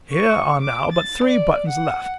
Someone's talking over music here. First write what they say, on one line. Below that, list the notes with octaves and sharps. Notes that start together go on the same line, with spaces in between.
Here are now but three buttons left.
C#6
D6
A6
D5
F#5